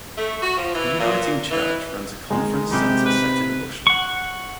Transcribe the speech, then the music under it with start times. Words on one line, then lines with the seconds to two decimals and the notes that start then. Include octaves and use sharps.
The Uniting Church runs a conference centre set in the bushland.
0.17 A3
0.42 F#4
0.57 F3
0.75 E3
1.00 A#2
1.51 E3
2.30 D#3 G#3 D#4
2.71 C3 B3 D#4 G4
3.05 B4
3.87 F#5 C#6